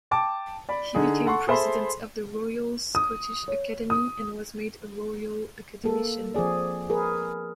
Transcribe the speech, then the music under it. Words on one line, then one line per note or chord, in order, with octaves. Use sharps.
He became president of the Royal Scottish Academy and was made a Royal Academician.
G5 A5 D6
D5 B5
D3 D#4 G#4
A4 F#5 C6 C#6
G#4 A4 C5 E5 B5 C6
D#6
C#5
D#6
A#3 A4
F3 C4 G#4 D5
G#4 A#4 B4